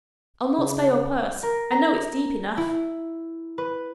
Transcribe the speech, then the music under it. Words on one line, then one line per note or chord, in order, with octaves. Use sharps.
I'll not spare your purse,--I know it's deep enough.
C#3
A#4
A#5
E4
B4